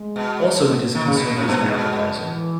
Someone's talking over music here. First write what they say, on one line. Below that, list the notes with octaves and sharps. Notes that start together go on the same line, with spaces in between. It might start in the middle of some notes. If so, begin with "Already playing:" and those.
Also it is consumed as an appetizer.
Already playing: G#3
B2
A#3
D#3
C#3
B2
B2 B3
G#2 C#4
G2 B3
G#2 G#3
B2
E3